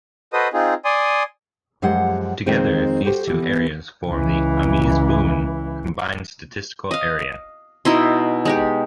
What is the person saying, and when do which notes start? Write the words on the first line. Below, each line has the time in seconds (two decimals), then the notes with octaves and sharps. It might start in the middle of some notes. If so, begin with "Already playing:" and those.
Together, these two areas form the Ames-Boone Combined Statistical Area.
0.33 F#4 A4 B4 C5 D#5 D#6
0.53 C4 D#4 F4 G#4
0.85 D5 G#5 C6 D#6
1.82 F#2 F3 G#3 G4 F#5
2.46 F2 D#3 G#3 C4
3.04 F#4 G4 A4 B4 C5
3.27 E3 B3
4.08 C#2 E3
6.91 D#5 F5
7.85 B2 D#4 E4 C6
8.45 G#3 D#4 G4